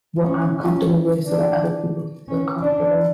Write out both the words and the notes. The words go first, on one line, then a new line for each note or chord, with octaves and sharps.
what I'm comfortable with so that other people can feel comfortable.
C#4
C#4
D4
C#4
D4